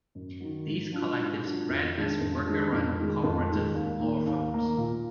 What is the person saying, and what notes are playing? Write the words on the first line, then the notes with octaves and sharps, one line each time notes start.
These collectives ran as worker-run, cooperative law firms.
F#2
D#3 F#3
G#2
F#3 D4 F4
G#2
F#3 D4 F4
F2
D#3 G#3 D4
F2
D#3 G#3 D4
F2
D#3 G#3
F2
D#3 G#3
D#2
D#3 A#3
D#2
D#3 A#3
A#2